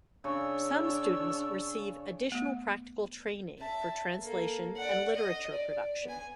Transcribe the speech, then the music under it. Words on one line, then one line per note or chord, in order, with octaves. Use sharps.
Some students receive additional practical training for translation and literature production.
C#3 D4 C#5 D5 C#6 E6
A3 B3
E5 A5
A#3 A4
D5 F#5
D#5
D5
B3 G#5